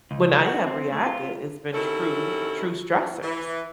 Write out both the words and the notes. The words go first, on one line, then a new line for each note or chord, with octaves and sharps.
When I have reacted, it's been true true stressors
C#2
F#4
C4
A3
F4
C3 D#3 C#4 E4 F#4 A4
E3